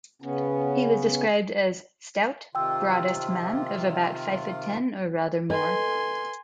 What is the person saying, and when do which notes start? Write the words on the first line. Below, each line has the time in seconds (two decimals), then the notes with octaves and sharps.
He was described as "stout, broadest man of about five-foot ten, or rather more".
0.22 C#3 B3 C#4
2.55 C3 D#3 F4 G5 E6
5.50 A4 B4 D#5 G#5 C6